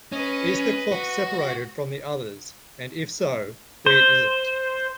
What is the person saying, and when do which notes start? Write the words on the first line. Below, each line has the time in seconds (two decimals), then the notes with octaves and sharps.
Is the cloth separated from the others, and if so where is it?
0.12 C#4 B4 D#5
0.92 F#4
3.86 C5